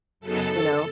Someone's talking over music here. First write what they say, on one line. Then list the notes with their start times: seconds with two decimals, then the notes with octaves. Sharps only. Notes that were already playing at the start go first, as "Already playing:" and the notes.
You know?
0.20 F#2 C#3 F#3 B3 D#4 A4